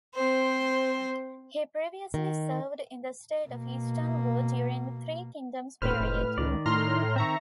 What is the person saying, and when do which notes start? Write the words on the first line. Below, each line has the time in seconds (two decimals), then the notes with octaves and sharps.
He previously served in the state of Eastern Wu during the Three Kingdoms period.
0.15 C4 C5
2.14 D#3
3.48 B2 A#3
5.82 D#1 A2 B4 C5 F6
6.00 F1
6.38 C#2 D#3 D5
6.66 A2 A#5 C6 F6
7.16 D#3 C4 E5 A#5 C#6